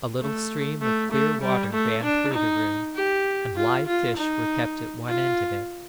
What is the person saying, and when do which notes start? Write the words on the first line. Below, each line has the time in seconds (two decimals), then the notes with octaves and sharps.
A little stream of clear water ran through the room, and live fish were kept at one end of it.
0.21 A3
0.82 A3
1.12 A3
1.42 G3
1.73 A3
2.04 D4
2.34 D#4
2.96 G4
3.56 F4
3.87 F4
4.17 D#4
5.09 F4